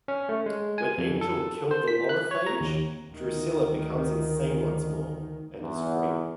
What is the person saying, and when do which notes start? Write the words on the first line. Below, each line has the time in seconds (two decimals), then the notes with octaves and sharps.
When Angel killed the Lorophage, Drusilla becomes insane once more, and is free.
0.08 C#4
0.29 A3
0.46 G#3
0.78 G#5
0.98 F2
1.21 A4
1.71 C5
1.88 B6
2.09 F#6
2.31 C#5
2.46 A#5
2.61 D#2
3.09 D2 D#3
5.61 E2